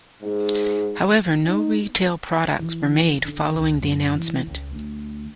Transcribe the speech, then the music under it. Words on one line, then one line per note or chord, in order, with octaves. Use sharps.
However, no retail products were made following the announcement.
G#2
D#4
E3
D3
C#2
F#2
E3
C#2
D2